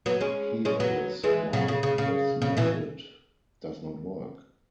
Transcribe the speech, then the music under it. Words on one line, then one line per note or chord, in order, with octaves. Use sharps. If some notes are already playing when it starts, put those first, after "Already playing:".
Here is why this method does not work.
F#3 B3
G#3 C#4
G#3 C#4
F#3 B3
E3 G#3
C#3 F#3
C#3
C#3
C#3
C#3
B2 E3